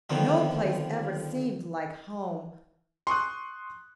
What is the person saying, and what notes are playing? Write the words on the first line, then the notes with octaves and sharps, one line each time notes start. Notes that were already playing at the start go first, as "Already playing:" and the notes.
No place ever seemed like home.
F2 D3 D#3 F3 B3
C6 C#6 D#6 F#6